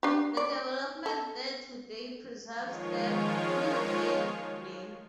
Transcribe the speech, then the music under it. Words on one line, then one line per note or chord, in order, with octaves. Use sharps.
The development there today preserves the "Laudervale" name.
D4 G4
D5
A4
D#3 F3 G#3 F4 C#5